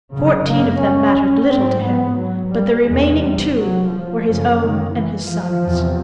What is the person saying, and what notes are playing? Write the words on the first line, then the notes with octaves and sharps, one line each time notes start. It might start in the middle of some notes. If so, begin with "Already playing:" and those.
Fourteen of them mattered little to him, but the remaining two were his own and his son's.
F#2 C#3
A#3
C#4
G#2 C4
B3
F#3
G3
E2 C3 G#3
G3
F#3
F3
F#2 C#3
D#3
E3
F3
E2 C3